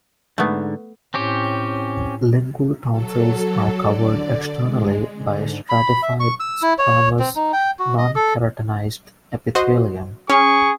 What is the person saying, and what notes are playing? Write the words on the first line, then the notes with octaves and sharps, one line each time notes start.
Lingual tonsils are covered externally by stratified squamous nonkeratinized epithelium.
G#2 D3 A3 B3
A2 C4 C#4 G4
F#3 A4
D3 D5
G#3
G#2 D3
B5
E5
C#6
E6
E4
C#5
C4
D#4
G5
F#4
D#5
A4
F#4 C5 D#5
C#4 G#4 C#6